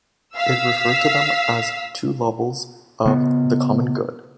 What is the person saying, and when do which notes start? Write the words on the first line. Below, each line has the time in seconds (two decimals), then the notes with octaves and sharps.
It referred to them as "two levels" of the common good.
0.36 F5 E6 B6
3.06 C#3 B3